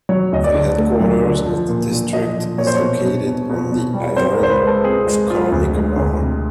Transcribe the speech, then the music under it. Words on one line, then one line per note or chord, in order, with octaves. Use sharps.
The headquarters of the district is located on the island of Car Nicobar.
F#3 C#5
D2 D#5
D5
D3
A3
F#3
D3
F3
A#2
A#2
F3 D#5
F3
A#2 C#5
C5
C#5
B2
B2
B2
B2
B2
G3
C4 C5
A#4
C#2 C5
B4
G#3
A4
C4 G#4
G#3
G#3 F4
D2
G#3
D2
C3